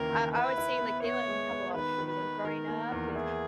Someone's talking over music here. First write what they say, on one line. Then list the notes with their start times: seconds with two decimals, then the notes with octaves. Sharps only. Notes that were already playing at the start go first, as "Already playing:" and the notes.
I I would say, like, they let me have a lot of freedom growing up, and
Already playing: D#2 C#3 E3 A#3 A#4
0.10 D#2
0.33 E4 B4
0.58 E4
0.80 B3
1.04 B3 C#5
1.28 G#3
1.51 B3
1.74 D#3 B4
1.98 D#3
2.10 B4
2.21 D#3
2.45 D#3 A#4
2.68 A#3
2.92 E2
3.15 E4 G#4